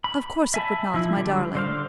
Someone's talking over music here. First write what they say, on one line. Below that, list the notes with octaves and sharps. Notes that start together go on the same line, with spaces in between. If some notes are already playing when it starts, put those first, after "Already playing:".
"Of course it would not, my darling."
B5
E5 G#5 A5 B5
F3 E4
D3 G3
D3 C5 F5